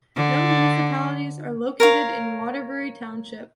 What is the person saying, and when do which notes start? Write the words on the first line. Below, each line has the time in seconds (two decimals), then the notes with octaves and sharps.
No municipalities are located in Waterbury Township.
0.16 D3
1.80 A#4 C#5 F5